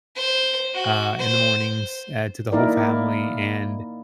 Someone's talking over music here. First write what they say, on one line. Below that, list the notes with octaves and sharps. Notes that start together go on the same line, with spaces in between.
uh, in the mornings, eh, to the whole family, and,
C5
F#4
C5
A#3 D#4 E4 A#4 D5